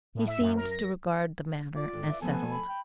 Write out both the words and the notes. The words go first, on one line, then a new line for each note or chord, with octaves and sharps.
He seemed to regard the matter as settled.
A2
E5
F#2
A#4
A#6
F4 D5
G#2 D3 D#3
F4 B4 E5 F5
F3 A3 B3 A4 G#5
B5
G5